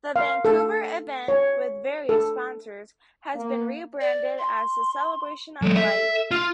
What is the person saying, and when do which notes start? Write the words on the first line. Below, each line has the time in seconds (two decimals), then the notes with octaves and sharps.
The Vancouver event, with various sponsors, has been re-branded as the "Celebration of Light".
0.16 F5
0.45 A4
1.28 C#5
2.09 A4
3.35 A#3
4.01 D5
4.38 C6
5.62 F#3 G#3 A4
5.77 E5
6.31 F4 F6